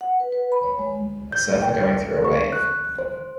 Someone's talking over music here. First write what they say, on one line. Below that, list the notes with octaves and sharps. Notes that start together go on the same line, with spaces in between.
A surfer going through a wave.
F#5
B4
B4
B5
C#5
G#3
G6
G5
C#6
F#6
C5